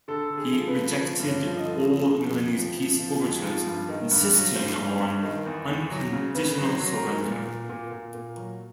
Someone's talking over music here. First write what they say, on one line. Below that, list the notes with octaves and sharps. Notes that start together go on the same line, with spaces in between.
He rejected all Milanese peace overtures, insisting on unconditional surrender.
D3 A4
D3
G#4
F3
B4
F3
F3 C5
G2
C#5
F3
D#5
D3
F3
C3
F2
F3
F3
F3
F2
F3
G2
D#3
G2
F#3
G2 C5
G2
G2
D#3
E2
E2
F#3
C#3
C#3 B4
F#3
C5
F#3
A#4
E2
A#2
A#2
A#2
A#2
A#2
F#3